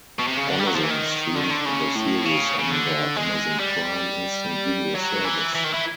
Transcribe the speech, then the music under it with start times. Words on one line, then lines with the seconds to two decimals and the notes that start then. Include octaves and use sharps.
Amazon streamed the series on their Amazon Prime Instant Video service.
0.19 B2
0.27 C3
0.37 C#3
0.46 D3
0.59 G3
0.67 F#3
0.76 F3
0.84 E3
0.91 D#3
1.36 D3
1.44 D#3
1.50 D3
1.66 C#3
1.95 A2
2.25 C#3
2.59 C#3
2.70 D3
3.16 G#3
3.60 G3
4.95 F#3
5.25 E3
5.55 E3
5.64 D#3
5.74 E3